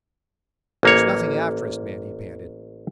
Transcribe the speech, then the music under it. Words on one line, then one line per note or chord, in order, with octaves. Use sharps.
"There's nothing after us, men," he panted.
A1 A#3 C#5